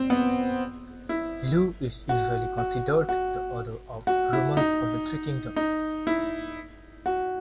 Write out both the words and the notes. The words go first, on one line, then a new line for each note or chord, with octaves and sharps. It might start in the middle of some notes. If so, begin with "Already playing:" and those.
Luo is usually considered the author of "Romance of the Three Kingdoms".
Already playing: C4
B3
E4
F#4
F#4
F#4
F#4
E4
D#4
D#4
E4
F#4